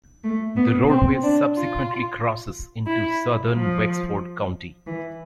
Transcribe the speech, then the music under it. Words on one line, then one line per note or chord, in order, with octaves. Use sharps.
The roadway subsequently crosses into southern Wexford County.
A3
B3
C4
D4
F4
E4
F3
E3